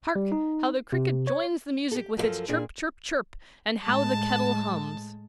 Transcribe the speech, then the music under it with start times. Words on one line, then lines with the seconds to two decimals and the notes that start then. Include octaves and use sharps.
Hark! how the Cricket joins the music with its Chirp, Chirp, Chirp; and how the kettle hums!
0.16 G3
0.32 D#4
0.92 C3
1.27 C#5
1.92 G4 A4
2.17 F#2 F3 D#4 G4 A4 A#4
2.48 A#2 D4 G#4
3.84 A2 G#3 A5